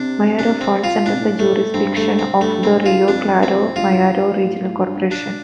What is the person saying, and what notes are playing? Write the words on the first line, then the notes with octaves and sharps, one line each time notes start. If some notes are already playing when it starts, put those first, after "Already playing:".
Mayaro falls under the jurisdiction of the Rio Claro-Mayaro Regional Corporation.
Already playing: C3 D4
D4
C4
F4
A2 D4
C3
A2
A3
G2 C4
A3
C4
G2 A3
C4
F4
F2 D4
C4
G2 F4
A2
G2
D4